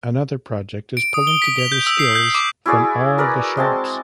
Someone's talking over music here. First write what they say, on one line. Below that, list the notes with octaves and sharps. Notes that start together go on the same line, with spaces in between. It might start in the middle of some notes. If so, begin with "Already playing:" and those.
Another project is pulling together skills from all the shops.
D7
D#6
G7
B6
F7
G6
E6
C7
G6
D6
E4 F#4 G#4 D5
F#4 A#4 B4 D5
G#3 C4 A5